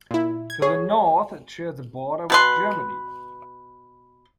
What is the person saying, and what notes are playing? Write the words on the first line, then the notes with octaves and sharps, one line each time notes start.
To the north, it shares a border with Germany.
A#2 E4
G#6
G#4 C#5
B2 B4 C6